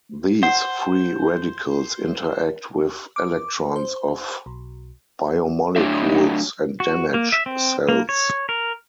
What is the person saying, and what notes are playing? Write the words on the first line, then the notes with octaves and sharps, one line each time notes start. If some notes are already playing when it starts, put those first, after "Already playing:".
These free radicals interact with electrons of biomolecules and damage cells.
C5 F#5
D6
C5
B1
F#3 A3 D4 D5 E5
F#4
A#3
E5
C4
A#3
C#5
A#4